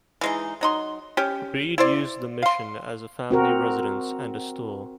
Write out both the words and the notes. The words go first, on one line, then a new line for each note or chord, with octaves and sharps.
Reed used the Mission as a family residence and a store.
E3 G#3 D#4
F#3 D#4 C6
C#4 G4
E4 C5 D5
F5 C6
C4 F#4 A#4